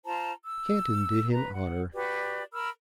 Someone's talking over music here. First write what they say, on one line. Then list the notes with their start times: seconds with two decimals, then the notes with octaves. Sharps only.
Canton did him honor.
0.06 F4 C5 A5 A#5
0.45 E6
1.32 B4 A#5
1.52 F#5
1.93 F#4 G4 B4 D5
2.52 A#4 B5 E6 F6